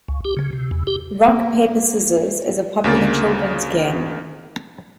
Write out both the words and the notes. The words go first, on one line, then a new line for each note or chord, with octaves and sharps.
Rock, paper, scissors is a popular children's game.
C#2
G4
C#3
C3
E2
G4
A#3
D2 C#3 A#3 A6